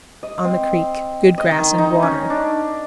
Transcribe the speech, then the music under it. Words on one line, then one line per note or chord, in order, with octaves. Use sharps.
On the Creek.--Good grass and water.
D#5
C4
D#5
D#3
D#4
C#4
D4